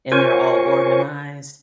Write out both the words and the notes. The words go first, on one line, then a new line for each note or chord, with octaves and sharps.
and they're all organized.
F4 A#4 C5 C#5 G#5 C#6